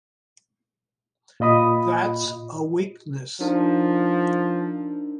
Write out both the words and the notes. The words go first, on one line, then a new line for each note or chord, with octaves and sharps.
That's a weakness!
A#2 F4 D#5 B5 D#6
F3 D4 D#4 A#4